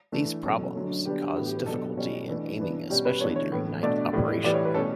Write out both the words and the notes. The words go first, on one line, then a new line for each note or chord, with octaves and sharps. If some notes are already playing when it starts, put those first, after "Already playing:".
These problems caused difficulty in aiming especially during night operation.
E3 A3 D4
B2 F#3 C#4 A4
D3 F#3 A3 C#4
D3 G3 B3 D4 G4
A2 E3 B3 F#4
G4
B4
B2 F#3 B3 D4 A4
B2 G3 C#4
E3 A3 D4
E3 B3 D4
B2 G3 C#4 G4
B4
E3 B3 D4 C#5
C#5
A2 E3 B3
B2 A3 D4 D5
A2 E3 G3
A2 E3 G3 D5
C#5
B4
B2 A3 C#4 A4